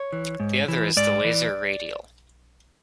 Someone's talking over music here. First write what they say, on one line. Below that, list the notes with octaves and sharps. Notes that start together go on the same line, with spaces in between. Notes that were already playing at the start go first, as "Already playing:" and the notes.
The other is the Laser Radial.
Already playing: C#5
E3
G#2
E3
G#2 D5
E3